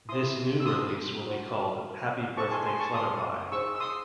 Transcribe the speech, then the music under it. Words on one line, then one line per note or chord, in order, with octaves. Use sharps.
This new release will be called "Happy Birthday Flutterby".
E4 C5 C6 D#6
E6
C6 D#6
F#4 C5
D#4 G#4 C5 A5 C#6
G#5 C6
G#5 C6
A5 C#6
C6 D#6
D#4 G#4 C5 C#6 E6
E6
C6 D#6